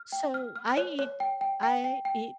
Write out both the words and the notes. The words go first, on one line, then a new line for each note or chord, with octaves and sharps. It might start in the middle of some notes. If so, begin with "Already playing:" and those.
So, I eat I eat
Already playing: F6
G5
F6
F6
C#5
C#5
G5
G5
G5
G5
G5